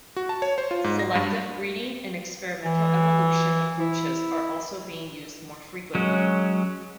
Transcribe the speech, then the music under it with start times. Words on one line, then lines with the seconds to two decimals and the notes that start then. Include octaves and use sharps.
Selective breeding and experimental evolution approaches are also being used more frequently.
0.16 F#4
0.29 A5
0.42 C#5
0.58 C5
0.71 F4
0.84 G#2
0.99 A#6
1.15 G2
2.65 E3
3.79 E4
5.95 F#3 G#3 C#4